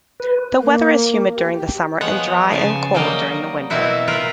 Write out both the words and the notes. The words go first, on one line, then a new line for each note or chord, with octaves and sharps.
The weather is humid during the summer and dry and cold during the winter.
B4
A#3
G4
G4
F3 G#3 B3 C#5 F#5
C#3 G#5 A5
F#3 G3 A#3 D5 D#5
B2 A#3 C4 E4 F#4
F4 A#4 B4